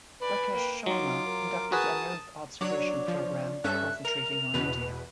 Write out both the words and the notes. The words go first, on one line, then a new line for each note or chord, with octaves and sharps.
Rakesh Sharma conducted an Earth observation program concentrating on India.
B4 D5 G#5
A#3 G5
F#3 D#4 F4 D6
A#4
F#4 G#4 B4 A5 D#6
F#3 D4 C#5 D5
F3
G2 C#4 A4 E5 F#6
A#4 F7
E2 B2 B4